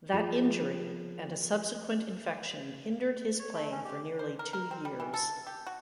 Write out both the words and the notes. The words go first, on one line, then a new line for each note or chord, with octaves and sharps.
That injury and a subsequent infection hindered his playing for nearly two years.
F3 G#4
C#5
A3
C#4
G4
C5
A#4
A#4
C4
G3
E3
A4
G4
F#4